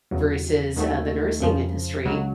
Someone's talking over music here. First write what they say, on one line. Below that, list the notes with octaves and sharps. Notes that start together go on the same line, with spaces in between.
versus, uh, the nursing industry,
E2 C#3 F#3
D#2 D#3 F#3 A3
F2 C#3 F3
C#2 C#3 F#3